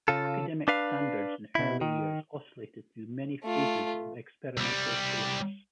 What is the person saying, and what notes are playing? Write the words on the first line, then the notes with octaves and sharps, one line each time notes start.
Academic standards in the early years oscillated through many phases of experimental syllabus.
C#3 F4 A4
D4 B4 F5
B2 E4
D#3
A3 F4
C2 G3